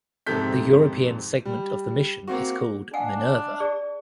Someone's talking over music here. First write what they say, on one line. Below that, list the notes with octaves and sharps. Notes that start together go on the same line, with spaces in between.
The European segment of the mission is called "Minerva".
F2 G#2 C3 A4 G6 B6
G3
A#3 C4 F#4
D4 F5 F#5 G#5
G#4 D5